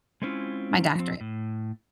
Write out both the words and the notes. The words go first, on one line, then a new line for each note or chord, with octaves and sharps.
my doctorate,
G#3 A3 C4 C#4 E4 F4
F3 C4
A2